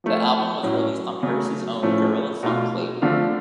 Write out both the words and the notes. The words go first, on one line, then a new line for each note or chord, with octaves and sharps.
The album was released on Paris's own Guerrilla Funk label.
F3 A3 F4
A2 F#3 C#4
C#3 F#3 A3
A2 F3 A3 C#4
B2 A3 F4
D3 F3 A3 D4 F4